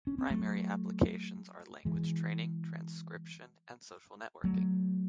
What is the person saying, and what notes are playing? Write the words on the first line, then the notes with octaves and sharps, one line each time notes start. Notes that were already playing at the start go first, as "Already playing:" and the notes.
Primary applications are language training, transcription and social networking.
C#4
C4
F#3 A3
E3 G#3
F#3 A3